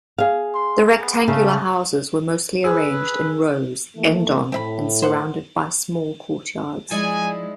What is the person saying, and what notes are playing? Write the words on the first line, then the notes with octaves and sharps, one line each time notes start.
The rectangular houses were mostly arranged in rows end-on and surrounded by small courtyards.
G#4 F5
C6
B3
C#3 A3
G#4 B4 E6
E3 A3 A#3
A2 A3 C4 E5 B5
C5 F#5
F3 G#3 D#4 E4 D5 G#5